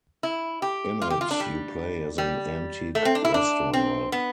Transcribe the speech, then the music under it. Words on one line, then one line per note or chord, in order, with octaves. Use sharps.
In it you play as an antique restorer.
E4
G4
F4
G4
F4
D4
G3
G3
A3
C4
D4
E4
D4
C4
B3